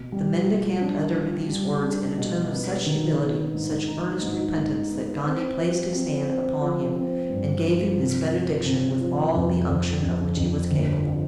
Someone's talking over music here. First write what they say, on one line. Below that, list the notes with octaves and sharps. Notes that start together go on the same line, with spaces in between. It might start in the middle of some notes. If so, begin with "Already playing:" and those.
The mendicant uttered these words in a tone of such humility, such earnest repentance, that Gondy placed his hand upon him and gave him his benediction with all the unction of which he was capable.
Already playing: B2
G3
F4
D4
F4
G3
D4
B2
B3
D#3
B3
G#2
D#4
G#2
G#2
B3
C4
F3
C4
C4
F3
C4
G2
F3
C3
F3
C3
F3
F2
F2
F2
F2
G1